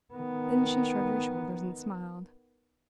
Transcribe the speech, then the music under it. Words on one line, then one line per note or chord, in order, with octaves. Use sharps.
Then she shrugged her shoulders and smiled.
D#3 B3